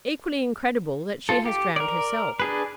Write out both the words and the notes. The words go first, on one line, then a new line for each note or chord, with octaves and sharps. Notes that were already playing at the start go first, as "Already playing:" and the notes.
Equally incredible that she has drowned herself.
F4 A4
G4
A#4 D5
D4 G#4 B4